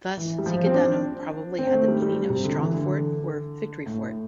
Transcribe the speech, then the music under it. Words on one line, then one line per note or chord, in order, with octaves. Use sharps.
Thus "Segedunum" probably had the meaning of "strong fort" or "victory fort".
E3
G3
F3
C4
D4
C4
A3
G3
G3
G3
C3
D3
E3
D3
A2